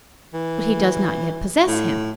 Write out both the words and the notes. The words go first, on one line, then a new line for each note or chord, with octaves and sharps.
But he does not yet possess Him.
E3
A2